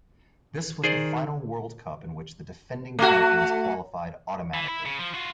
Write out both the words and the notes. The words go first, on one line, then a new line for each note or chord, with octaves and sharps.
This was the final World Cup in which the defending champions qualified automatically.
D#3 G#4 C5 D5
A3 F#4
E3
E4
C#3
F3
F4 F#4